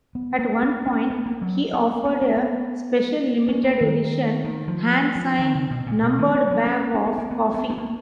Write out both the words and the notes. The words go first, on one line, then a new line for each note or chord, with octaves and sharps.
At one point, he offered a Special Limited Edition hand-signed numbered bag of coffee.
B3
A#3
B3
C#4
B3
A#3
F#3
B3
B3
C#4
B3
C#4
B3
D#3
D#3
F3
F3
D#3
C#3
B2
A#2
B2
D#3
D#3
B3
C#4
C#4
B3
A#3
B3
B3
B3
A#3